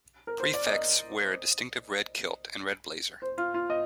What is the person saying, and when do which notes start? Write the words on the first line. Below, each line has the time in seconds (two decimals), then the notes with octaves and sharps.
Prefects wear a distinctive red kilt and red blazer.
0.27 A#4
0.40 C5
0.54 D5
0.67 D#5
3.22 C5
3.38 F4
3.54 F4
3.70 D#5